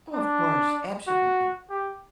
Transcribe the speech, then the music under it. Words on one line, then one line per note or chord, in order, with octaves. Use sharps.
Oh, of course, absolutely.
D4
F#4
G4